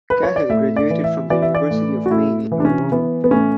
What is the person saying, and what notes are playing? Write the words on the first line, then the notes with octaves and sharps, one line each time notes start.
Cahill graduated from the University of Maine in Orono.
B4
C#5
D5
A2 E5
D5
E3
E5
E3 D5
E5
D5
A2
F#4
A2 E4
E3
D4
C#4
E3 B3
B3
A2 C#4